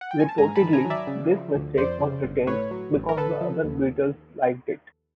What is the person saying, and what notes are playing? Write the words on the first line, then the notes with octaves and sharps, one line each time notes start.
Reportedly, this mistake was retained because the other Beatles liked it.
F#5
G5
G#5
A5
G#2 G#5 A#5
A5 B5
D#3
G#5 A#5
F#3
D5 E5
C#3
F3
D2
F2 C5 D5
C#3
G1
A2 B4 C#5
F#3
A1
A#4
D3 A4 B4
F3
D#2